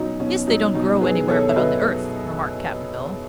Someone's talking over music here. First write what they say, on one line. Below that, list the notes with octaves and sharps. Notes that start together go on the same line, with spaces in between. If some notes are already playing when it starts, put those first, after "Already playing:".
"Guess they don't grow anywhere but on the Earth," remarked Cap'n Bill.
Already playing: B2 F#3 C#4 D#4
B2 C#4
F#3 D#4
B2 D#4
F#3 G#4 B4
B2 A4 C#5
E5
F#3 B4 D#5